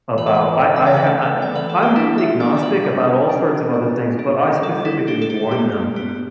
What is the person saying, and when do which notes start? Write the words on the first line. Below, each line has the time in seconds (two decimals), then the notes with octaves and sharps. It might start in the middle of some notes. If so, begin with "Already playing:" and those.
about I I ha I eh I'm agnostic about all sorts of other things, but I specifically warn them
0.18 E3 B4
0.27 A4
0.35 B4
0.62 E3
0.76 E5
0.86 D5
0.97 B4
1.06 A3 A4
1.42 D5
1.51 E3 B4
1.70 A4
1.83 G4
1.96 D4 E4
2.18 E5
2.40 D4 D5
2.63 B4
2.85 G3
3.29 D4
3.74 D4
4.19 D4
4.62 G3 A4
4.85 E4
5.07 D4 G4
5.22 A4
5.30 G4
5.51 G3 G4
5.96 B3 G4